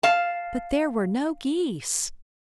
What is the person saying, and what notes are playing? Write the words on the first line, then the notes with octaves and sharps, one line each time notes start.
But there were no geese!
F5 A5